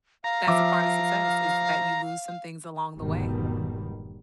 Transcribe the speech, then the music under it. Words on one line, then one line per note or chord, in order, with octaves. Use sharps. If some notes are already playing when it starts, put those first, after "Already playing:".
that's a part of success, is that you lose some things along the way,
F5 A#5
F3 E5 D6
F1 E2 G#2 B2 D#3 G3